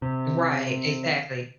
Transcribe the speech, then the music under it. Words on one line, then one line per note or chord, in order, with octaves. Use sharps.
Right, exactly.
C3